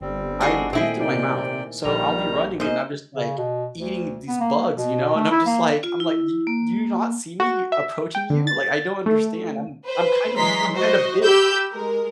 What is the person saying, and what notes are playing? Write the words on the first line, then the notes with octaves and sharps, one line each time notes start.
I breathe through my mouth, so, I'll be running and I'm just, like, eating these bugs, you know, and I'm just like I'm like, "Do do you not see me approaching you?" Like, I don't understand, I'm I'm kind of I'm kinda big
G1 G3 C4
A3 D4 D#4 F4 F#4 G#4
A#2 D#3 A3 C4 E4 G#4 D#5 G5
C3 D#4 A#4 D5 G5
A#1 D#3 G3 A#5
G#2 A#3 D#4 G#4 C5 D#5
C#3
B2
D2
B3
A#3
B2
A3
E4
A#3
F4
E4
A#3
F#4
E5
G5
D3
A6
A3
B4 C5
E3 F#3 G#3 A#5 C6 B6
F#4 C5 D#5
G4 B5 E6 G6
G#3 A#4